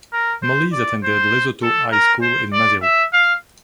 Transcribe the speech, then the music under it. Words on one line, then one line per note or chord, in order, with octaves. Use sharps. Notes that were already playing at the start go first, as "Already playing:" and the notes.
Molise attended Lesotho High School in Maseru.
A#4
C5
D5
C5
A4
A#4
C5
D5
E5
F5